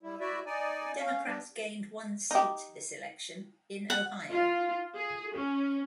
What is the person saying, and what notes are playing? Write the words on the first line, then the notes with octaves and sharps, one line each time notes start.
Democrats gained one seat this election in Ohio.
G3 E4
E4 F#4 D5 E5
D#4 D5 G#5
C#4 F5
G3 B3 D4
D#4 G4
F#5
F4
G#4
C#4